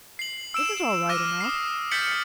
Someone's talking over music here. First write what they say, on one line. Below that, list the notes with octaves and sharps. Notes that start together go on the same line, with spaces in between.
It was all right enough.'
C7 F#7
E6 D7 E7
D6 F6 A#6 D#7
D#6 C7
F6 G6 A6 B6 C#7 F#7